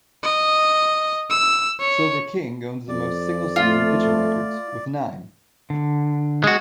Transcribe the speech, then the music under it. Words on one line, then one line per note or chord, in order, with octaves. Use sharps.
Silver King owns the most single-season pitching records with nine.
D#5
E6
C#5
F2 D5
A3 F4
D3
G#3 F#4